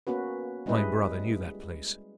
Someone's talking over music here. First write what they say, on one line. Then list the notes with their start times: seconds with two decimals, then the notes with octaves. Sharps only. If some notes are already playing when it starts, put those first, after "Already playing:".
My brother knew that place.
0.07 A#3 B3 C#4 F#4 B4
0.66 G3 G#3 C#4 E4 B4 D#5